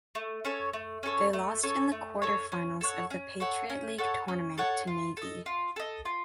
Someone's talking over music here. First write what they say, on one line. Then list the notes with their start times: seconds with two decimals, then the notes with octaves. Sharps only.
They lost in the quarterfinals of the Patriot League Tournament to Navy.
0.15 A3
0.45 C#4 A4 C#5
0.73 A3
1.03 C#4 A4 C#5
1.33 A3
1.63 C#4 A4 C#5
1.92 A3
2.22 C#4 A4 C#5
2.52 C#4
2.81 A4 C#5 F#5
3.10 C#4
3.40 A4 C#5 F#5
3.70 C#4
3.98 A4 C#5 F#5
4.28 C#4
4.58 A4 C#5 F#5
4.87 F4
5.17 A4 D#5
5.46 F4
5.76 A4 D#5
6.05 F4